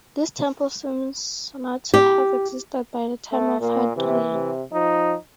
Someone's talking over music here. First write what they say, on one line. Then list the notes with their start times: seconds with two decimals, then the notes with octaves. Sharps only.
This temple seems not to have existed by the time of Hadrian.
1.94 G4
3.32 A3
3.60 A#2 A#3
3.97 C3 E3
4.33 C3
4.73 F3 D#4